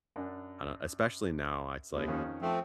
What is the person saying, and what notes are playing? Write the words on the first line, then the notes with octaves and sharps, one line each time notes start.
I don't Especially now, it's like,
F#2 D4
D#2
F2 D#3 C#4
F3 A3 C4